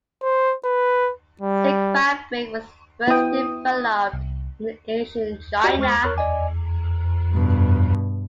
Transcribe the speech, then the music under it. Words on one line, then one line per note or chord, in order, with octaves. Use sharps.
Silk fabric was first developed in ancient China.
C5
B4
G3
B3 E4 G5 D#6
C2
F#4 G4 D5 D#5 G5
G#3 C5 C#6 F6 A6
A#4 C#5 C#6 F6 F#6 A6
D5 D#5 G#5 D6
G2 B2